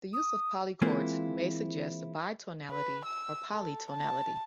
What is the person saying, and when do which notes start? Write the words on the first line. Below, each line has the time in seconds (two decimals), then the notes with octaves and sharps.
The use of polychords may suggest bitonality or polytonality.
0.14 D#6
0.82 E3 G#3 A#3 C4 E4 F4
2.70 B4
3.06 E6
3.51 A4
3.90 A5